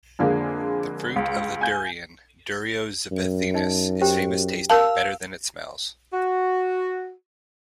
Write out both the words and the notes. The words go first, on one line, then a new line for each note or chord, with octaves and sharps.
The fruit of the durian, "Durio zibethinus" is famous, tasting better than it smells.
F2 D3 G#3 A#3
C#2
G#5 G6
F#2
D#4 D#5
G4 C5 G5
A#4 F5 A5 E6
F#4